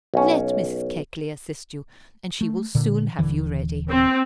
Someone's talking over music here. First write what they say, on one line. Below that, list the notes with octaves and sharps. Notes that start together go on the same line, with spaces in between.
"Let Mrs. Keckley assist you, and she will soon have you ready."
B1 C#4
A3
A#2 D3
D#1 D3 E3
C4